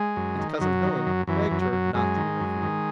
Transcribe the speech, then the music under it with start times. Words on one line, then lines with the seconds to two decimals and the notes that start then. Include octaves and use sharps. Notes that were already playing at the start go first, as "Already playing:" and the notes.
And Cousin Helen begged her not to interfere.
Already playing: G#3
0.16 F#2
0.39 D#3
0.60 F#2 F#3
0.83 D#3
1.06 F#2
1.27 F#2 E3
1.51 F#2
1.62 F#3
1.73 F#2
1.94 F#2 G#3
2.17 D#3
2.40 F#2
2.62 D#3